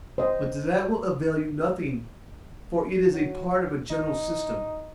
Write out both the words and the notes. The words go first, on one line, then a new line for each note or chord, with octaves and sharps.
But that will avail you nothing, for it is a part of a general system.
C5 D#5 G5
F#3
D#4